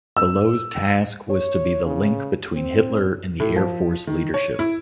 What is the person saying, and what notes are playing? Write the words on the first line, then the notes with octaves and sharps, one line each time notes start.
Below's task was to be the link between Hitler and the air force leadership.
E6
C#5
C#3
C4
A2
F3
D#3
C#5
E4